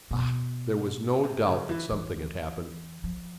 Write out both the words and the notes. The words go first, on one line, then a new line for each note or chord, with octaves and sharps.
Ah! there was no doubt that something had happened!
B2
C3
C#3
E3
E3
F3